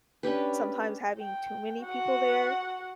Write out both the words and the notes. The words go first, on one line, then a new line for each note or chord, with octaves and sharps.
sometimes having too many people there,
C#4 D4 G4 B4
G5
F#4 F#5